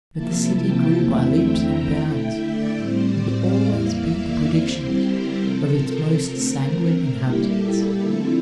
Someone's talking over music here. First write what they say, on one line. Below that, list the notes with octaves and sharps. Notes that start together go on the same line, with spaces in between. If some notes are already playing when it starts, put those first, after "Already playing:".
But the city grew by leaps and bounds, and always beat the predictions of its most sanguine inhabitants.
C3 F3 A#3 E4 A5
G5
E2 D3 A3 C4 E4 E5
G5
A#5
D3 A3 E4 G5
E5
D5
A2 G3 C4 C5
D5
F5
E2 E3 A#3 E4 F5
E5
D5
D3 G3 C4 E4 C5
G4
A#4
C3 F3 C4 A4
A#4
A4
D3 A3 C4 A#4
A#2 G3 A#3 E4 G4
A4
G4
D3 F3 A3 C4 E4 A4